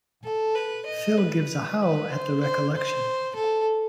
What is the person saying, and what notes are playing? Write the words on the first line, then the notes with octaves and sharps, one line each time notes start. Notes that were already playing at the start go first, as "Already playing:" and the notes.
Phil gives a howl at the recollection.
A4
B4
D#5
B4
B4
C5
C5
C5
A4